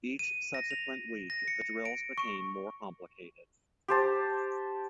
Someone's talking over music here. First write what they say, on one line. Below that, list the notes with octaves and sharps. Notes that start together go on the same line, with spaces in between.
Each subsequent week, the drills became more complicated.
D#7
A#6
F7
A#6
C#7
D7
C#6
G4 C5 A5